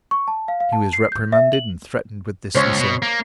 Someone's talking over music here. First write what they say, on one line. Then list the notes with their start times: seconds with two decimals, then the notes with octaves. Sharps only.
He was reprimanded, and threatened with dismissal.
0.11 C#6
0.28 A5
0.48 F5
0.60 F5
0.73 A5
0.93 C7
1.12 G6
1.32 E5
1.53 F#7
2.55 C#2 C5 C#5
2.77 B2
3.02 A#3